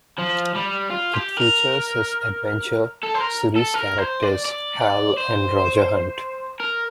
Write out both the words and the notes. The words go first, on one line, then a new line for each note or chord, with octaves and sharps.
It features his "Adventure" series characters, Hal and Roger Hunt.
F3
G3
F4
G4
A#4
A4
C5
A#4
A4
A#4
C5
D5
D5
D5
C5
A#4